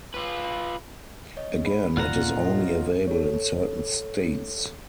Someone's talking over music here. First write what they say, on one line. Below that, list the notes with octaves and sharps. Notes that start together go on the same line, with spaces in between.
Again, it is only available in certain states.
F4 B4
C#5 D#5
G#4 B5
D1 E2 B2 A#3 F4 D5 F#5 A#5
D2 A#2 C#4
A4 C#5 D#5
A4 C#5